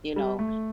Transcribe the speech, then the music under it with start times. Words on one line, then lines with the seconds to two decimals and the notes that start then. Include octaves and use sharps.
You know,
0.16 G3
0.39 A3